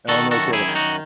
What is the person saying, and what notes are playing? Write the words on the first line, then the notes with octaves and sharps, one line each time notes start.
Oh, no kidding.
D#3 F#4 A4
F#4 A4
F#2
E4 G#4
D#3
D#4 F#4